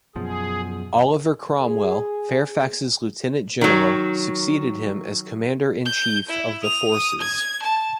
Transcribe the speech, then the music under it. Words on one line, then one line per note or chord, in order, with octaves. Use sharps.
Oliver Cromwell, Fairfax's Lieutenant-General, succeeded him as Commander-in-chief of the Forces.
F#2 B2 F3 G#4
G#4
D#3 F#3
G6
E4
D#6 F7
D#6
G#6
A5